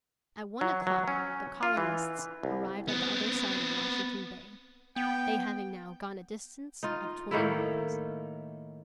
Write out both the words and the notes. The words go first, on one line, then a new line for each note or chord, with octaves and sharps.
At one o'clock the colonists arrived at the other side of Washington Bay, they having now gone a distance of twenty miles.
F#3
F#3
C#4
F4
E3
C2
B3 C4
B3 G5
D#4 F4
A2 D#3 A#3 E4